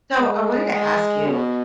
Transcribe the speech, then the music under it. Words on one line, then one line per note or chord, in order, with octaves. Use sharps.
So, I wanted to ask you,
G#3
G#3
B2